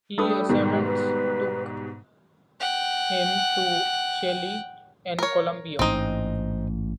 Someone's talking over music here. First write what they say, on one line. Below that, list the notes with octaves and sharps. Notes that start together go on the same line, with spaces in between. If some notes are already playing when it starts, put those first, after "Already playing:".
He assignments took him to Chile and Colombia.
G3 A3 D4 G4 A4 B4 D#6
G#2 B2 D#3 G3
B4
F#5 G5
A#4 C#5
A1 G#2 C4 D#4